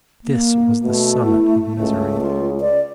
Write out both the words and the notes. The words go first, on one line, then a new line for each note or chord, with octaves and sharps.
This was the summit of misery.
A#3
B2 A3
E4
C#2 A3
F4
D5